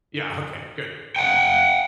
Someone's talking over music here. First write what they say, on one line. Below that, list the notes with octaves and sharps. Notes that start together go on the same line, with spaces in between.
Yeah, okay, good.
F#5 G5